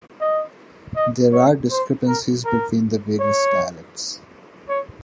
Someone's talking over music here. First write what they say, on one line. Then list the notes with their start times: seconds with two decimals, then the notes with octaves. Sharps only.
There are discrepancies between the various dialects.
0.21 D#5
0.96 D#5
1.33 C#5
1.71 C5
2.08 A#4
2.45 A#4
3.20 C#5
4.69 C#5